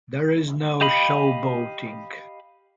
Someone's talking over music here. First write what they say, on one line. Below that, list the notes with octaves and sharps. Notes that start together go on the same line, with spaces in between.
There is no showboating.
G4 D#5 F5 B5